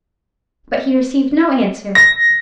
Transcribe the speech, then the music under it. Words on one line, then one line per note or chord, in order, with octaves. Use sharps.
But he received no answer.
A#6